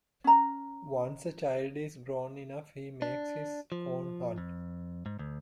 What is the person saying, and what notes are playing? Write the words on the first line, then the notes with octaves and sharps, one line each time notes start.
Once a child is grown enough, he makes his own hut.
C#4 A#5
D4
F3
F2
G#2
D2